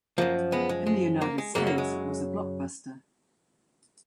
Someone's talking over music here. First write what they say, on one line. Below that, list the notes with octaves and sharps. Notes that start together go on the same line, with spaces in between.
In the United States, it was a blockbuster.
F#2 F3 A#3
G#3 B3
G#3
G#3
A#3
G#3
F#2 C#3 F#3 A#3
A#3
G#3